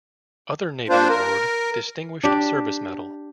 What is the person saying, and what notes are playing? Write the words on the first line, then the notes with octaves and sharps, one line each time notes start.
Other Navy award: Distinguished Service Medal.
A#3 C4 D4 F4 C5
A#4
D4 G4